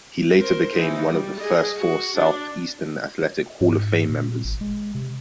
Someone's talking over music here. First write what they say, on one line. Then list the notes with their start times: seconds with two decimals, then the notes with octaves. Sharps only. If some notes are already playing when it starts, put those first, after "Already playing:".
He later became one of the first four Southeastern Athletic Hall of Fame members.
0.39 A#4 C5
0.75 E3 D#4
1.10 G3
1.40 G#4 D#5
1.77 F#4
2.17 D4
3.61 G#2
4.09 A#2
4.44 G#1
4.61 G#3
4.95 C3